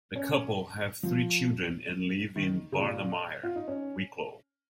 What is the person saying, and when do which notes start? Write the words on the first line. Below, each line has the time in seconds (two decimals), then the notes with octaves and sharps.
The couple have three children and live in Barnamire, Wicklow.
0.16 C#4
1.03 F3
2.36 D#3
2.72 C#3
2.80 A#2
3.43 F4
3.56 D#4
3.68 C#4